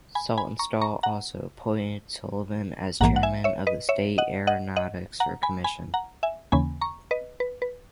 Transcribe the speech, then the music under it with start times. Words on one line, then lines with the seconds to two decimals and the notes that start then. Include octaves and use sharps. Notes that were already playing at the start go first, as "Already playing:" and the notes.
Saltonstall also appointed Sullivan as chairman of the state aeronautics commission.
0.15 G#5 B5
0.38 G#5 B5
0.59 A#5 C#6
0.82 A#5 C#6
1.03 F#5 A#5
3.01 A#1 G#2 E3 A#3 F#5 A#5
3.16 F#5
3.23 E5 G#5
3.44 C#5 E5
3.67 B4 D#5
3.89 C#5 E5
4.18 D#5 F#5
4.47 D#5 F#5
4.76 D#5 F#5
5.20 F#5 A#5
5.43 G#5 B5
5.64 G#5 B5
5.94 F#5 A#5
6.23 E5 G#5
6.52 D#2 C#3 E3 A#3 C#4 G#5 B5
6.81 A#5 C#6
7.11 B4 D#5
7.40 B4
7.62 B4